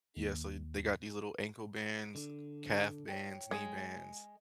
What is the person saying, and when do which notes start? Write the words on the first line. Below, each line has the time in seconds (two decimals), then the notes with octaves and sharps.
Yeah, so you they got these little ankle bands, calf bands, knee bands,
0.17 D#2
2.15 D3
3.09 C#5 G5
3.51 G#3